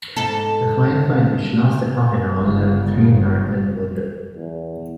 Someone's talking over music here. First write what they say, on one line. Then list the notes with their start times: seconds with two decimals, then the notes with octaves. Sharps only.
The firefight, which lasted half an hour, left three American wounded.
0.16 G#2 A4
2.38 G1 C#3
4.36 E2